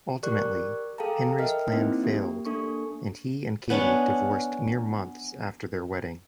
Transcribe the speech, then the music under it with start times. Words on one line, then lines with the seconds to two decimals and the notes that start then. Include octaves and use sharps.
Ultimately, Henry's plan failed, and he and Katie divorced mere months after their wedding.
0.23 G4 A#4 D5 C#6 F#6
0.98 G#4 A4 F5 G5 A5 A#5
1.38 A#4 D#5 E5 G5 F6
1.72 A#3 C4 D#4 E4 B4
2.04 A#3 G4
2.45 A#3 D4 A4 C#6
3.70 B3 C#4 D4 C#5